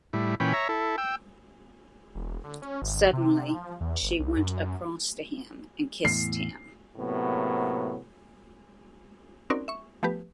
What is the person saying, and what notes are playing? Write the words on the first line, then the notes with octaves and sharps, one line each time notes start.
Suddenly she went across to him and kissed him.
A2 G3 E4
A#2 E3 C#4 G5 B5
C#5 E5 A#5
E4 A4
G5 E6
E1
D3
C#4
G#1
C3
F3
E2
G1
C2
F#2
E2 A2 C7
A2 C3 F#3 A#3 B3
C4 C#4 D#4 F#4 A#4 D5
E5 C#6
F3 A3 B3 G4 B4